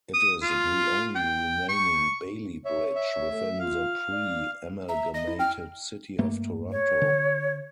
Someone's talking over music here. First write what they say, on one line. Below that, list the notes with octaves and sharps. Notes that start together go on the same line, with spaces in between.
It is the only remaining Bailey bridge within the pre-amalgamated City of Toronto.
D#6
F4
G5
C#6
C#5 E5
E5
C#5
A3
F4 F5
D5
E5 A#5
D#5 A#6
E4
G5 F6
G2 A3 A#3
C#5
D3